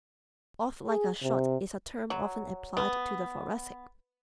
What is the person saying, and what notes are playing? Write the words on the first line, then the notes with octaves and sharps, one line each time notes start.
"Off like a shot" is a term often applied to the Thoracic.
G#4
C3
F#3
B3